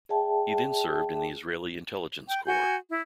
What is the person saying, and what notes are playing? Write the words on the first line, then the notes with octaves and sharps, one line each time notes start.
He then served in the Israeli Intelligence Corps.
G#4 D5 E5 G5 A5
G5
F#4 G#5 G6
E4